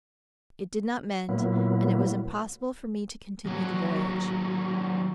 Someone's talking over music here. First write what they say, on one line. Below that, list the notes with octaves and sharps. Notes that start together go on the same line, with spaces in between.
It did not mend, and it was impossible for me to continue the voyage.
A#2 F#3 A#3 B3 E4
D#2 F#3